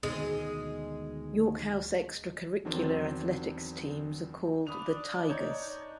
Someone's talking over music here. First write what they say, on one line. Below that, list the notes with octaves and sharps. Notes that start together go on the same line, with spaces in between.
York House extra-curricular athletics teams are called the Tigers.
D2 B2 D#3 G#3
E2 D3 D#3 F#3 C4 D4
D4 B5 D#6 F7
D#4 C#5